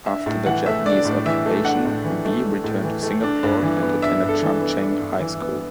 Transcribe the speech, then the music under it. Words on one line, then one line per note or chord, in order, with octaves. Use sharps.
After the Japanese Occupation, Wee returned to Singapore and attended Chung Cheng High School.
D4 E5
A2
E3 F#5
A3 E5
D4 D5
A2
E3 E5
A3
D4 F#5
A2
E3
A3
D4
A2
E3
A3
D4
G2
E3
B3
D4 E5
G2
A4
E3
B3
D4
G2
E3
B3